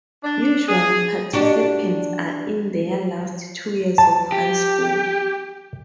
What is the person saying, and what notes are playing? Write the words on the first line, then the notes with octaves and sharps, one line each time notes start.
Usually participants are in their last two years of high school.
D4
G#4
D4 F#4 G4
A5
G4